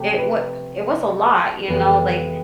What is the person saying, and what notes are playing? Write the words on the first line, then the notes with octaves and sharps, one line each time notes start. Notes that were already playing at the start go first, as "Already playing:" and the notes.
it wa it was a lot, you know, like,
Already playing: C3 F3 A3
B4
F2 C3 E3 G#3 B3 B4